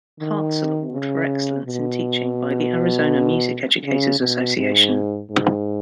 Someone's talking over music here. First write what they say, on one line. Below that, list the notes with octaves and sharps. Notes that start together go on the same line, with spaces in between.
Hartsell Award for excellence in teaching by the Arizona Music Educators Association.
D#3
C#3
B2
C#3
B2
G#2
G#2